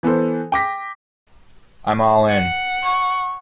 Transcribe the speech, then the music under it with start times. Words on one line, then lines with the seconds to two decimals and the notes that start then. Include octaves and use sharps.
I'm all in.
0.03 E3 B3 A4 C5
0.52 G5 D6 A#6 B6
2.29 F#5
2.84 C#6